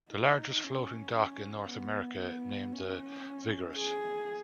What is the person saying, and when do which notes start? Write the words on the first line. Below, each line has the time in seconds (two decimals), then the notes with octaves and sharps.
The largest floating-dock in North America named The Vigorous.
0.11 D#4
0.64 C#4
1.15 C#4
1.68 B3
2.20 B3
2.73 C#4
3.77 G#4